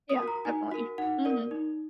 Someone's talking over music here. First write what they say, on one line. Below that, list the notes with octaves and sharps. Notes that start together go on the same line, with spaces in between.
Yeah. Definitely. Mhm.
D#6
F#4 A#4
A#5
D#4 G#5
F#4 A#4
D#4 F#5
A#4 D5
D#4